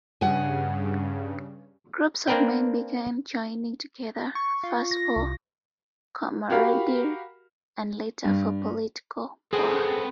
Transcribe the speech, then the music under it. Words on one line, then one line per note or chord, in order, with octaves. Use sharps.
Groups of men began joining together, first for camaraderie and later for political power.
G2 C#3 F#5 G#5
A#3 C4 D4 A#4 B4 G5
C#6
F4
A#6
C2
F#4 G4 A#4 F5 B5
G2
B3 C4 G#4 A4